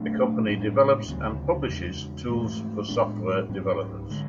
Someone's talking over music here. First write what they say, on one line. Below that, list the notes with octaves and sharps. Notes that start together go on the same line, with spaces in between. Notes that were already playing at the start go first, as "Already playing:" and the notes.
The company develops and publishes tools for software developers.
Already playing: B2 F#3 A3 D4
A2 G#3 B3 D4
D2 C#3 F#3
E2 C#3 G#3
G#2 E3 A3
A2 G#3 B3 D4
G#2 F#3 C#4
D3 G#3